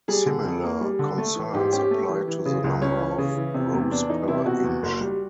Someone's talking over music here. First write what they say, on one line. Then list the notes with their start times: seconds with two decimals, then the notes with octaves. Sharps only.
Similar concerns apply to the number of "rows per inch".
0.08 G3 G#4
0.26 D3
0.45 F2
0.63 A#3
0.81 G3
0.99 D3
1.18 A3
1.36 E3
1.53 G#2 G4
1.73 C#4 G4
1.91 A3
2.09 E3
2.28 E3
2.46 C#3
2.64 C#2
2.81 C#2 C#4
2.99 E3
3.18 C#3
3.37 E3
3.54 C3
3.74 E2
3.91 E2 D4
4.09 E3 D#4
4.28 C3 E4
4.45 B2 F#4
4.64 E2
4.83 F#1
5.01 G3